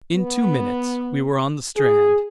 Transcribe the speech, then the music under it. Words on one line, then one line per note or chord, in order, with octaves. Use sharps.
In two minutes we were on the strand.
B3
G#4